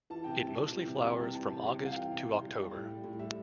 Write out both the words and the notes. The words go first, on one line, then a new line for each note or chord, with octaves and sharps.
It mostly flowers from August to October.
E3 A5
C3 G5
C3 A5
G3
E3
C3
C3
G3
E3 A5
C3
C3
G3 F5
E3 G5
C3
C3
G3
G3
A2
G3
A2
G3 E5